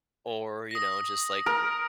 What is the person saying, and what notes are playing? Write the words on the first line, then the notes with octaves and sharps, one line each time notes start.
or, you know, just, like,
D#6 A#6
A#4